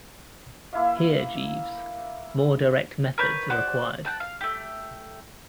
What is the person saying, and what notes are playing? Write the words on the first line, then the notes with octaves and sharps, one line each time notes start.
Here, Jeeves, more direct methods are required.
A#3 E4 E5 F5
A#4 B4 C#5 G6
F#4 C5 D5
F#5 G5 A5
F5
A3 G4